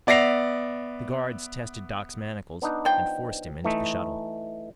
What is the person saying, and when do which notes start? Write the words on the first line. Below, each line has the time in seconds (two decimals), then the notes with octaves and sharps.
The guards tested Doc's manacles and forced him into the shuttle.
0.07 B3 D5 E5 A#6 C7 F7
2.62 B3 D4 D#4
2.85 F3 G5
3.64 E3 A3 D#4